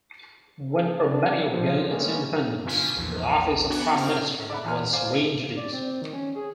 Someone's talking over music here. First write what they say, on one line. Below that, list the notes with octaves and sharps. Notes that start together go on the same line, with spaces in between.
When Armenia regained its independence, the office of Prime Minister was reintroduced.
F#1 D2 G#4 A4
D4
F3
G3 G#3 A#3 B3 C#4
B2 D3 F4 G#5 B6
A#1 E2
B3 D4 F#4 F#5 G#5
C4 F6
D5 E5 F#5 B5
A1 E2 G#5 C6 F6
C5 D5 F5 G#5
E4
D5
C4
D#3
C#4
G#4